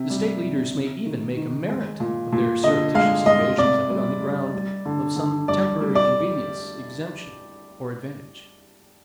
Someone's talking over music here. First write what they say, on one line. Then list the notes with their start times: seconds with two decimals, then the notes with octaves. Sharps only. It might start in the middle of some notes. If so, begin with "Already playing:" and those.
The State leaders may even make a merit of their surreptitious invasions of it on the ground of some temporary convenience, exemption, or advantage.
Already playing: C3
0.10 G3
0.42 C3
0.73 C3
1.06 D#3
1.37 D#3
1.69 G#3
2.00 A#2
2.32 A#2
2.64 D3 D#5
2.95 G#3 F5
3.26 G#3 D#5
3.58 C3 D5
3.90 G3
4.21 G3
4.53 G3
4.85 D3
5.16 D3
5.48 G3 D5
5.80 G3
5.95 D5